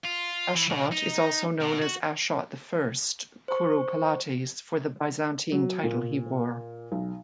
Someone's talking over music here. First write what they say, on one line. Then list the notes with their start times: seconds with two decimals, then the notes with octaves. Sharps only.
Ashot is also known as Ashot I Curopalates for the Byzantine title he wore.
0.05 F4
0.55 E3
0.70 B2
0.92 D#4
1.62 B2
1.82 F#4
3.48 C5 C#6
5.52 F#3
5.83 A#2
6.92 B1